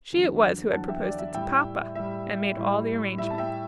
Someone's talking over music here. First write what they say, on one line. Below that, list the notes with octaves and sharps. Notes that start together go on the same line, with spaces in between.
She it was who had proposed it to Papa, and made all the arrangements.
E2 D3 F#3
E2 D3 F#3 F#5 A5
E5 G5
D5
E5
A2 G3 E5 G5
A2 G3 E5
A2 G3
A2 G3 E5
A5
E5 G5